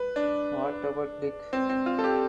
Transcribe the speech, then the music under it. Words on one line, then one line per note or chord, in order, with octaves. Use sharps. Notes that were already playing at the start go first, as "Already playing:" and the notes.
What About Dick?
Already playing: B4
D4
C4
C4
F4
A4
G4